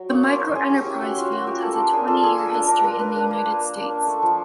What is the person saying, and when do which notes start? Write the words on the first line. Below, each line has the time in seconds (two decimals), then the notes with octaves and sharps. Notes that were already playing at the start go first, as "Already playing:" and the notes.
The microenterprise field has a twenty-year history in the United States.
Already playing: F#3
0.09 A#3 C#5
0.24 A#3 C5
0.39 E4 C5
0.55 C#4 G#4
0.70 C#4 G4
0.85 E4 G4
1.01 E4 F#4
1.17 F#3 F4
1.31 A#3 F#4
1.46 A#3 G4
1.62 A#3 A4
1.77 F4 A#4
1.93 D4 G#4
2.08 F4 A4
2.23 A#3 G#4
2.38 A#3 A4
2.54 D4 A#4
2.68 D4 A#4
2.78 B4
2.84 A#3 A#4
2.99 D4 B4
3.16 D4
3.31 A#3
3.46 A#3
3.61 A#3
3.76 D4
3.91 D4
4.07 A3
4.23 F3